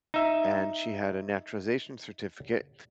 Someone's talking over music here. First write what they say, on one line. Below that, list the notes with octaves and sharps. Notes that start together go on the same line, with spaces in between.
and she had a naturalization certificate,
D#4 E5